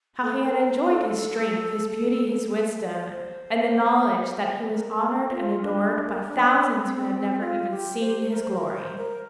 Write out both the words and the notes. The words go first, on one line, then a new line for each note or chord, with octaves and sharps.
How he had enjoyed his strength, his beauty, his wisdom, and the knowledge that he was honored and adored by thousands who had never even seen his glory!
A4
A#4
C5
A4
C5
A#4
A4
F4
D4
D4
A#3
D4
D4
C4
C4
C4
F4
G4
C5
A#4
C5
A#4
C5
A#4